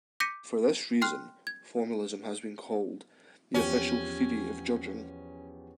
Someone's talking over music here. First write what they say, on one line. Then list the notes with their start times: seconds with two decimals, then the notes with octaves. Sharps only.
For this reason, formalism has been called 'the official theory of judging'.
0.20 D6 G6 A#6 B6 C#7 D#7
1.02 G5 C6 F6 F#6
1.47 G#6
3.54 E2 F3 C#4 G4